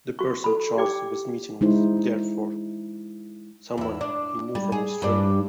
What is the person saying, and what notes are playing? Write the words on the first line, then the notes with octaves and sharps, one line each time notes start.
The person Charles was meeting was, therefore, someone he knew from Australia.
F#4 C#6
A4 B5
G4 D5 G5 D6
G#3 D#4 E4 C5
E2 E4
D4
G3
G#4
G2 G3 D4